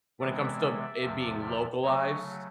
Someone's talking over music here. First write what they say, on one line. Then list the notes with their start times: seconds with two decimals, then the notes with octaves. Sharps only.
when it comes to it being localized,
0.20 C3 E3 G#3 B3 D5 E5
1.01 E2 C3 F3
1.82 C#3 F#3 A3 C#5 D#5